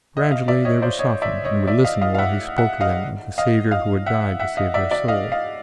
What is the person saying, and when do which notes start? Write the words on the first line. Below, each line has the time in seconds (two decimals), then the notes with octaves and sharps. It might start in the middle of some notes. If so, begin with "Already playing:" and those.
Gradually they were softened and would listen while he spoke to them of the Saviour who had died to save their souls.
0.17 D#5
0.24 E5
0.31 D#5 F5
0.48 D5 E5
0.65 C#5 D#5
0.82 C5 D5
0.99 C#5 D#5
1.22 D5 E5
1.45 C#5 D#5
1.67 D5 E5
1.84 D#5 F5
2.01 D#5 F5
2.15 F5
2.18 E5 F#5
2.58 E5 F#5
2.81 D#5 F5
3.38 D#5 F5
3.71 D#5 F5
4.06 E5 F#5
4.40 E5 F#5
4.57 D#5 F5
4.74 D5 E5
4.91 D5 E5
5.08 D#5 F5
5.32 D#5 F5